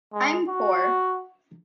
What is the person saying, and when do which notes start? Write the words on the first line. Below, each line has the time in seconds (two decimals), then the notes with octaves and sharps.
I’m poor.
0.14 G#3
0.48 F#4